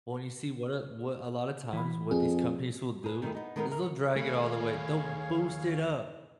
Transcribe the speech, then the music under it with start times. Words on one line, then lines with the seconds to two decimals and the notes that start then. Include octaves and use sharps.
When you see what a what a lotta times, what these companies will do is they'll drag it all the way, they'll boost it up.
1.73 E3 B5
2.11 F2 G#4
3.04 G#4 A#4 B4
3.22 D#3 G3 A3 E4 G#4
3.35 B3 D#4
3.56 D#3 G#3 B3 C4 A4 A#4
3.68 E2 A#4
3.79 B4 C#5
4.16 D#2 A3 G#4 C#5 F5 B5